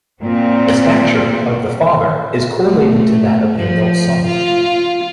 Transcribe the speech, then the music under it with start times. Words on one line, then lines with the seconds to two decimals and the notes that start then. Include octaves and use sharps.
The stature of the father is correlated to that of the adult son.
0.20 A#2 C4
2.64 A3
3.57 F3
4.27 F4